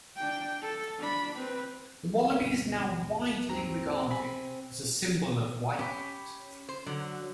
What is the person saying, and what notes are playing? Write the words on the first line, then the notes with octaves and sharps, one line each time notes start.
The wallaby is now widely regarded as a symbol of Waimate.
D4 G5
A4
D4 B5
C4 B4
D2 G2 B2
D#2 G#2 F#3 C4 A#5
C3 G#5 B5
C#4 G4 B5
C5
D3 F#3